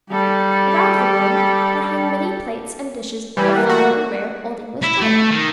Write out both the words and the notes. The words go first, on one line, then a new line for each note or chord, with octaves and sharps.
Around the room were hung many plates and dishes of fine and rare old English china.
G3 G4 A4
E3 G3 G#5 B5
A#3 F#5
F#4
E4
A3
D#3